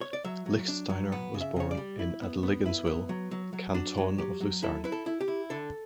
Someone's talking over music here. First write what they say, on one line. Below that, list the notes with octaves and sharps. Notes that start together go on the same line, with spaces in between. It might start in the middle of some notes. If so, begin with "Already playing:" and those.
Lichtsteiner was born in Adligenswil, Canton of Lucerne.
C#5
D5
F#3 E5
F#3
D4
F#3
B3 F#5
C#3
E5
C#3 C#5
D5
G3
E4
B3
B3
E4
B3
F#3
F#3
F#3
D4 F#4
F#3
F#3 G4
F#3
E4 A4
E4 B4
A4
E4
G4
E4
D3 A4